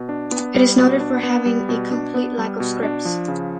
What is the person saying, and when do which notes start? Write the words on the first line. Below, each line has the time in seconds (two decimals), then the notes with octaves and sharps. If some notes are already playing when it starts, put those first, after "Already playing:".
It is noted for having a complete lack of scripts.
Already playing: B2
0.09 D4
0.32 B3
0.54 G3
0.78 B2
1.00 D4
1.23 B3
1.46 G3
1.69 B2
1.92 D4
2.14 B3
2.38 G3
2.60 B2
2.83 D4
3.05 F3
3.28 C#3